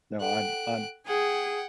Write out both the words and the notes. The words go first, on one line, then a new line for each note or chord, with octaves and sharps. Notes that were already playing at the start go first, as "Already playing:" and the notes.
No, I'm I'm
A4 F#5 G5 F#6 D7
G#4 F#5 G5 G#6